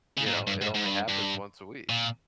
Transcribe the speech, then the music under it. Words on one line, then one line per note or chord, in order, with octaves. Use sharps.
you know, it only happens once a week.
C#3
A#2
G#2
G2
G#2
G#2
G2
G2
A#2